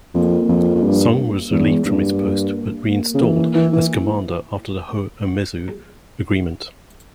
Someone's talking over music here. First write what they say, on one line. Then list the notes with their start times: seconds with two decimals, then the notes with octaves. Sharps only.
Song was relieved from his post but reinstalled as commander after the Ho-Umezu agreement.
0.14 F2 A#3
0.49 F2
0.75 F2
0.82 G2
1.51 E2 G#3
1.85 G2 A#3
2.87 A#3
3.14 C#3
3.22 E3
3.55 E3
3.73 E3